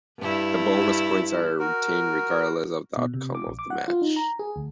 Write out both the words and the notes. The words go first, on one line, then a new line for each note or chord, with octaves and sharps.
The bonus points are retained regardless of the outcome of the match.
G2 E4
F#4 A#4
B2
C3
D6
A#1
D6
F#5
F4
D#4
A#5
G#4
D2